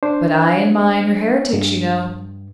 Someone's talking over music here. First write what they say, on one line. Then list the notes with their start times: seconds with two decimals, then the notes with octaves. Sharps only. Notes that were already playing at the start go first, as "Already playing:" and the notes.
"But I and mine are heretics, you know!"
0.03 D4 C5
1.53 G2